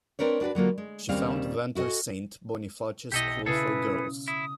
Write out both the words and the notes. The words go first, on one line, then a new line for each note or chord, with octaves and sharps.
She founded Ventnor Saint Boniface School for girls.
C4 D4 A#4 B4 C#5
D4 F#4 A4 B4
D3 F#3 A#3 F4
G#3
D#2 C#3 G3 C4 F5
E4 F#4 A4 D#5 G#5
B1 E4 G4 A4 D#5
C#3 E4 G#4 A4 B4 D#6
E4 D#6